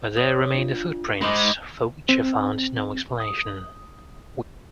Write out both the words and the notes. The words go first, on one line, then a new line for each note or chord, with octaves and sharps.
But there remain the footprints, for which I found no explanation.
C#5 D#6
D4 F4
G#3 D#4 B5 C6 D6
C4
D#6